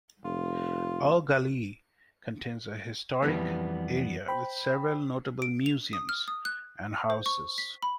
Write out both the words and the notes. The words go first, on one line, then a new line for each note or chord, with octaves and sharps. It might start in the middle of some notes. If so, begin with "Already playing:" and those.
Eau Gallie contains a historic area with several notable museums and houses.
F1 F4
F2 E3 G3 B3
C5 G5 B5
D7
F7
D#6
F6
D#6
F#6
C5
C#6
B6
B5